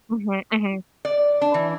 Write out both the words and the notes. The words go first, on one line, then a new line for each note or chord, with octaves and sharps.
Mhm. Mhm.
D5
D4
E3